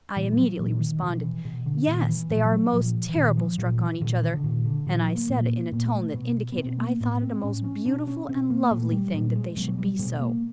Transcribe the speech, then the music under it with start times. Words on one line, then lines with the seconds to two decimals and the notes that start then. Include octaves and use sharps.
I immediately responded, "Yes, they are most terrible struck on each other," and I said it in a tone that indicated I thought it a most beautiful and lovely thing that they should be so.
0.16 A#2 E3
0.31 G3
0.38 F#3
0.59 A#2 E3
0.80 D#3
1.02 B2 F3
1.23 E3
1.45 B2
1.66 D3
1.87 A#2 D#3
2.09 E3
2.30 A#2 F3
2.45 F3
2.51 F#3
2.73 A#2 F3
3.09 E3
3.16 A#2 D#3
3.37 F3
3.58 A#2 F#3
3.80 E3
4.01 A#2 D#3
4.12 D#3
4.23 D#3
4.34 D3
4.44 A#2 D#3
4.65 D3
4.86 A#2 D#3
5.01 F3
5.15 A#3
5.30 A#2
5.72 A#2 A#3
5.86 A3
6.14 B2 B3
6.52 B3
6.58 B2 C4
6.79 A#3
7.00 A2 B3
7.22 C4
7.43 A2 C#4
7.64 C#4
7.85 B2 D4
8.07 C#4
8.29 B2 C4
8.50 A#3
8.71 A#2 A3
8.93 G3
9.14 A#2 G3
9.35 G#3
9.57 B2 F#3
9.68 F#3
9.78 G3
9.99 B2 G#3
10.21 A#3